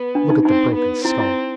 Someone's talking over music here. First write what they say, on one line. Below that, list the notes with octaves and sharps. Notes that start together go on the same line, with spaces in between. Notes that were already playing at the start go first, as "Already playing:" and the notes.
'Look at the broken scull.
Already playing: B3
D4
D#4
C4 D#4
B3
C4 E4
E4